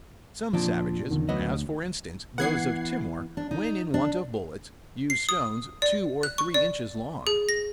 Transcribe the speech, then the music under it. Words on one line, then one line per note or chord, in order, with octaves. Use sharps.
Some savages--as, for instance, those of Timor--when in want of bullets, use stones two or three inches long.
F2 A#2 F3 D4
E2 D3 D#3
D2 F#3 B3 D#5
E3 B3 F#5 G#6 C7
D4
D#4
D4
C7
D#6
D5
F#6
C#6
D5
G#4
A#6